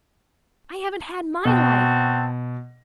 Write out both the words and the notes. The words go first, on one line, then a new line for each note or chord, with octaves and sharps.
I haven't had my life.
B2 C4 F#4 A5